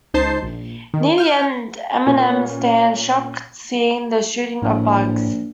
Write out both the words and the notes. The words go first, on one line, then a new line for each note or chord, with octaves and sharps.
Near the end, Eminem stands shocked seeing the shooting of Bugz.
C#2 D#4 C5 A5 C7
A#1
D#3
F6 G6
A#2 C#4
A#1 A2